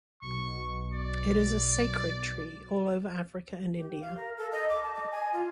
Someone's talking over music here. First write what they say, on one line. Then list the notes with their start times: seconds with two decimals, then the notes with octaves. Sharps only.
It is a sacred tree all over Africa and India.
0.22 B1 B2 C#6
0.93 D5
3.76 G4
4.00 F5
4.16 A#4
4.37 A4
4.52 D#5
4.69 D6
4.83 A5
4.95 D#5
5.11 G#5
5.33 F4